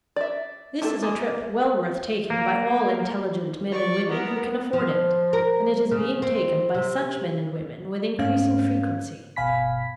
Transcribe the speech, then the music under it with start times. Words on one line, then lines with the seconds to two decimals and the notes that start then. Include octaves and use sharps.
This is a trip well worth taking by all intelligent men and women who can afford it; and it is being taken by such men and women with increasing frequency.
0.16 D5 E5
0.82 A3 A#3 E4 G#4 A4
1.03 G#3 A#3
2.30 A#3
3.72 D5 C#6
4.09 B3 A#4
4.73 F3
5.33 A#4
5.91 C#3
6.22 C4
6.75 C3
8.19 G#2 A3 C#4 F5
9.36 G1 B2 F5 G#5 B5 B6